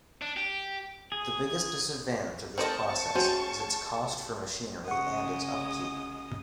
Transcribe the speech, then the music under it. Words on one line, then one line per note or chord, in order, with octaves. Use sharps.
The biggest disadvantage of this process is its cost for machinery and its upkeep.
D4
G4
G#4
C4 A4 A#4 C5 D#5 A5 C#6
A3 C#4 F#4 G#4 C5 G5
C#3 G#3 F#5 C#6 D#6